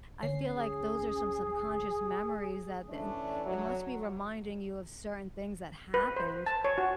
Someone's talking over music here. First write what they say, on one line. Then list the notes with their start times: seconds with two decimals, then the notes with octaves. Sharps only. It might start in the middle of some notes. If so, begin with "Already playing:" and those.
I feel like those are some subconscious memories that then it must be reminding you of certain things that happened
0.23 D2 C#4 C7
0.55 G#4
2.89 E3 A3 C#4 D4
3.45 F#3
5.94 B4
6.16 C5
6.46 A5
6.65 C#5
6.78 F#4